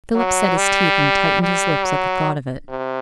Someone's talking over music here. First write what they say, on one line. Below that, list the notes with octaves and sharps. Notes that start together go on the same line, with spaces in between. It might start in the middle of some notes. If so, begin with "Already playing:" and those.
Philip set his teeth and tightened his lips at the thought of it.
F#3
G3
G3
F#3
C3